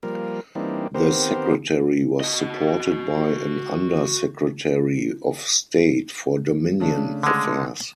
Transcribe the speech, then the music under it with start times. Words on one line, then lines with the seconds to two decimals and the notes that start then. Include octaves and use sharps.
The Secretary was supported by an Under-Secretary of State for Dominion Affairs.
0.03 F3 G3 A#3 A#4
0.55 E3 G3 A#3 C4 D4 D#4
0.95 D#3 B3 C4 G4 A#4 C5
2.20 F#4 D#5
6.80 C#3 A3 D4
7.23 D3 G#3